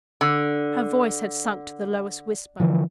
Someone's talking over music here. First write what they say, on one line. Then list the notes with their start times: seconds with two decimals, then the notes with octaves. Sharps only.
Her voice had sunk to the lowest whisper.
0.21 D3
2.60 D3 E3 F3